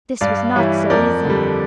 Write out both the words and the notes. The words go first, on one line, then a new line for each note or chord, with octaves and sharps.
This was not so easy.
G2 D5 F5
E3 G3 C#5 E5
F2 A#4 D5
D3 G3